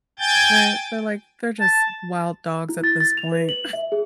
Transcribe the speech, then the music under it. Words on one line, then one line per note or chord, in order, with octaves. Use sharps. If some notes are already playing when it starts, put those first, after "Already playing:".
They're they're, like they're just wild dogs at this point. I
G5 G#5 G6 A6
A5
E4
A6
A6
F7
B4
F#7
E5
G#4